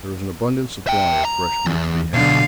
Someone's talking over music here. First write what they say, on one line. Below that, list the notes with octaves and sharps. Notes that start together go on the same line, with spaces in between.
There was an abundant supply of fresh meat to be had.
E5 G5
A#5
E2
B1 B2 D3 F5